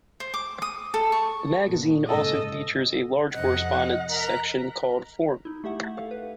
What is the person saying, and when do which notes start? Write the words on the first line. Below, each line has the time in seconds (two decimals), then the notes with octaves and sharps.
The magazine also features a large correspondence section called "Forum".
0.20 C5
0.34 D6
0.62 D#6
0.94 A4
1.12 C#6
1.66 A#2 B3
2.08 G#2 C#3 A4 D#5
3.34 F2 C3 D#5 F#5
4.10 A#4 A#5 F#6 B6
5.45 D#4 E4
5.64 A3 G4 E5 F#5
5.97 A4 F5
6.11 B4